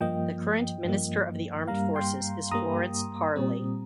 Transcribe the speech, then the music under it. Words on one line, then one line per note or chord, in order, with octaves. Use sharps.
The current Minister of the Armed Forces is Florence Parly.
G2 F3 A#3 D#5 G5
G2 F3 A#3
G2 G3 A#3 F5 A#5
G5 C6
G2 G3 A#3 A#5 D#6
A#2 G3 C4